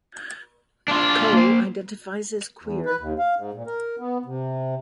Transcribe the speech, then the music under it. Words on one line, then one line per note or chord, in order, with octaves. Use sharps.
Koe identifies as queer.
D4 F4
A#3 C5
E2
B4
D#2
F5
G#2
A#2
A#4
B3
C3